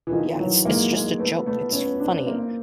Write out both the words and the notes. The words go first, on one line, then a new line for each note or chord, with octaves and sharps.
Yeah, it's it's just a joke; it's funny,
E3
D#3 F3
E3 F#3
G#3 A#3
G#3 A#3
A3 B3
A3 B3
B3 C#4
C4 D4
A#3 C4